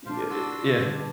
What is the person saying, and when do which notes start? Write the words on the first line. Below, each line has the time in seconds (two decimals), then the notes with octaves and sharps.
ye yeah,
0.06 A#2 D4 F4 C5 F5
0.30 E4 F#4 C6 E6
0.78 D3 G3 D4 B4